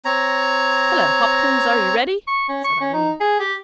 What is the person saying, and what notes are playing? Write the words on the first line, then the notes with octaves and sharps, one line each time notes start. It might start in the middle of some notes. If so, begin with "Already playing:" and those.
"Hullo, Hopkins, are you ready," said Irene.
C4 C#5 A#5
C#6
C#4
C#6
C#4
D#4
G#4
G4